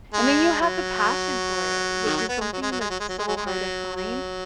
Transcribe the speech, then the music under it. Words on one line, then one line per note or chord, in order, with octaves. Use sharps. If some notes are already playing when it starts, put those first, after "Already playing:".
And then you have the passion for it, which is something that's so hard to find.
G#3
F#3
D#3
F#3
B3
G#3
F#3
G#3
F#3
G#3
F#3
G#3
F#3
G#3
F#3
G#3
F#3
F#3